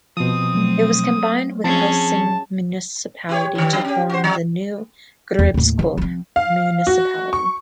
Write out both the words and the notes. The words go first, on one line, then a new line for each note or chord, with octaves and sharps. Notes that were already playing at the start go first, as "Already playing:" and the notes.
It was combined with Helsinge municipality to form the new Gribskov municipality.
B2 F3 C4 D#6
F#3 A3
F3 C4 C#4 G#4 A5
E4 G4 C#5
G2 D#3
F#3 D4
C#4 G4
F#4 C5
F3
E2
D#2 A2
E3 C#4
F3 C4
F5
F#4
C#6